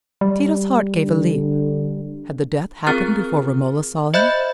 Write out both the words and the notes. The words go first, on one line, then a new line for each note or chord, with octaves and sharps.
Tito's heart gave a leap--had the death happened before Romola saw him?
G3
D3
C4 F4 G#4 A#4 F6 A6
C5 D#5 E5 B5 F#6 G6